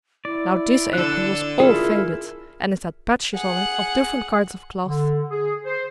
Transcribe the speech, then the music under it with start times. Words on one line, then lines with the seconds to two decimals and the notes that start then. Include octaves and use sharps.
Now, this apron was all faded, and it had patches on it of different kinds of cloth.
0.25 E4 D5
0.93 D3 A4 F#6
1.60 E4 F4 G#4 A#4
3.34 G#4 F#5
4.86 D3
5.31 G#4
5.64 C5